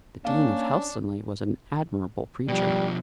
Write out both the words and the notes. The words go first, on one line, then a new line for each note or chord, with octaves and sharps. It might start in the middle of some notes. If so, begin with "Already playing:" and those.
The dean of Helstonleigh was an admirable preacher.
A#3 C#4 D4 F5
B2 F3 G3